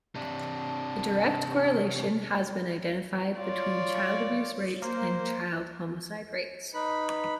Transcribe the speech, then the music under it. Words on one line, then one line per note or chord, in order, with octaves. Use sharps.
A direct correlation has been identified between child abuse rates and child homicide rates.
C3 D4
F4 C#5 D5
A#3 C5
D#4 B4 B5